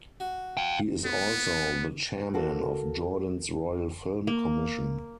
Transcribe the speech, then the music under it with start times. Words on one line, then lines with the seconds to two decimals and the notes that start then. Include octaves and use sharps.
He is also the chairman of Jordan's Royal Film Commission.
0.20 F#4
0.57 F5 G5
1.05 B3
2.34 A#3 F#4 A4
4.27 A#3